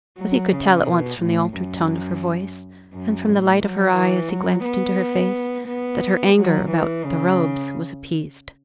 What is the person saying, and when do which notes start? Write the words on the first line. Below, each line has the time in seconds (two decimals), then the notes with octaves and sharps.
But he could tell at once from the altered tone of her voice, and from the light of her eye as he glanced into her face, that her anger about "The Robes" was appeased.
0.18 F#3
0.52 C#3
0.87 B2
1.21 A2
1.56 F#2
2.93 F#2
3.27 A2
3.61 F#3
3.96 E3
4.30 F#3
4.64 B3
5.67 B3
6.36 F#3
6.71 E3
7.05 C#3